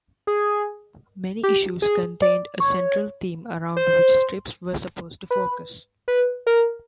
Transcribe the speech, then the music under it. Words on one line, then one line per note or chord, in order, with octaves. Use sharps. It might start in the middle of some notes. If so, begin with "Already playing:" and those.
Many issues contained a central theme around which strips were supposed to focus.
G#4
G4
G#4
D5
C#5
C5
B4
B4
A#4